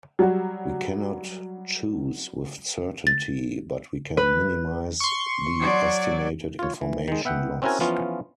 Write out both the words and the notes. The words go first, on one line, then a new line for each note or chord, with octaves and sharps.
We cannot choose with certainty, but we can minimize the estimated information loss.
F#3 G3 F#4
A6
B4
C6 C#6
F#3 D5
F4 C#5
E3
D#3 G#3
B3 E5 F#5 G5
C4 C#4 E4 F#4 A#4 G#5
E3 F3 B3 C#4 F4